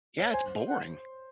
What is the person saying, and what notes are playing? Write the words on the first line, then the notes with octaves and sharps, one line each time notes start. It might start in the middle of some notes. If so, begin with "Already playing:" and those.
Yeah, it's boring.
C#5
C5 G#5
F#5